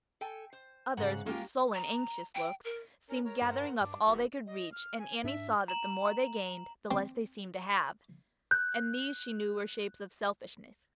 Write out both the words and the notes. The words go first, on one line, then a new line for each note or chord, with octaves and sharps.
Others, with sullen, anxious looks, seemed gathering up all they could reach, and Annie saw that the more they gained, the less they seemed to have; and these she knew were shapes of Selfishness.
A4 G5 G#5
C5
G#2 C#3 F#5
G#3 A#3 C#4 F4 G4
A#5
G5
A#4
C#4 A#4
A#4 C#5
G2 A#4 C5 F#5
G2 D4 D6
F1 D#3 B3 F#4
D#5
F6
G#5
G#2 D4 E5
A#5 E7 F#7
C4
F#6 G6